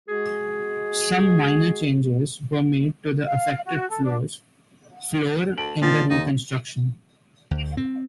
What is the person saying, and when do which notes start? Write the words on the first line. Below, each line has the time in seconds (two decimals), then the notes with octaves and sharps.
Some minor changes were made to the affected floors floor in the reconstruction.
0.08 G#3 F#4 G#4
3.26 F5
3.66 F#4
3.89 A4
4.04 D4
5.58 D2 A5 D7 F#7
5.82 A#2 D#3 F3 A6
6.10 D#2 D#4
7.51 D2
7.77 C4